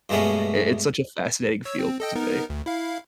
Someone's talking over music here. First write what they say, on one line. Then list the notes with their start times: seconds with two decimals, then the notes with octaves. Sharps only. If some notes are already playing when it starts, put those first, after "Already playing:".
I it's such a fascinating field to me.
0.09 G2 B2 G#3 A3 B3 C#4
1.65 C#5 E6
1.79 C4
2.00 A4 D#5 G5
2.16 B3 D#4 A#4
2.50 D2
2.66 E4 F5